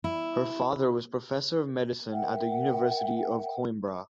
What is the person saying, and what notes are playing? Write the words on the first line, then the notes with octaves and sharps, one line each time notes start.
Her father was professor of medicine at the University of Coimbra.
E4
A#4 E5 F#5 G5